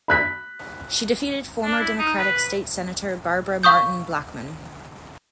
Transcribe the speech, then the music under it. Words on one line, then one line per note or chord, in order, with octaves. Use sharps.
She defeated former Democratic state Senator Barbara Martin Blackmon.
B5 F#6 B6
D4
E4
D#4
B4
F5 C#6 D#6 G6